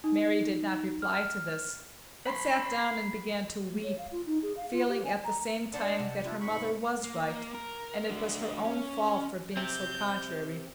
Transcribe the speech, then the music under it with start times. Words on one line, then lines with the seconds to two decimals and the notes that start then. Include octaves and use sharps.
Mary did not reply to this, but sat down and began to weep, feeling at the same time that her mother was right and it was her own fault for being so contrary.
0.04 D#4
1.02 F6
2.27 B5 C6
3.72 A3
3.83 C#5
3.98 F5
4.12 F4
4.26 D#4
4.43 G#4
4.57 F5
4.72 F4
4.89 G4
5.05 G#5
5.24 A#5
5.74 D4 C5 F#5 A5
5.99 C3
6.24 D4 E4 F4
6.40 G#2 B5 C#6
7.04 A#3
7.54 A#4
8.10 D4 F#4
8.64 C#4
9.57 C4 G4 G6